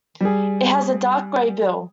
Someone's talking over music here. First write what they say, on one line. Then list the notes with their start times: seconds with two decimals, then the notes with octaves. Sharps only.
It has a dark grey bill.
0.21 G3 G#4